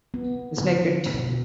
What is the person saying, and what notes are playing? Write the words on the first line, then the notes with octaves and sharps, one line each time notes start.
"The Snake Pit".
B3
D3
B2